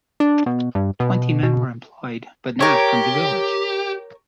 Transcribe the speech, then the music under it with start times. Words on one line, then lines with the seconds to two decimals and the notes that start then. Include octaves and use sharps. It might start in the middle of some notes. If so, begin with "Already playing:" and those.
Twenty men were employed but not from the village.
0.20 D4
0.46 B2
0.75 G2
1.00 B2
1.43 B2
2.60 G4 A#4 C#5